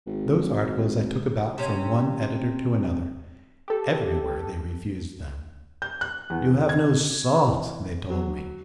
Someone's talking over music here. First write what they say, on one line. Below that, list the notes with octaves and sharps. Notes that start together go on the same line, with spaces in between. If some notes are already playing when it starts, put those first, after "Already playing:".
Those articles I took about from one editor to another; everywhere they refused them: you have no salt they told me.
G#1
C3 C#4
G4 A4
G6
F#6
E2
G#6
E3
F#3